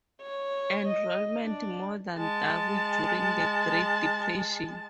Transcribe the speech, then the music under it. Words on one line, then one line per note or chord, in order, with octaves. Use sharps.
Enrollment more than doubled during the Great Depression.
C#5
D#5
D4
G#3 A5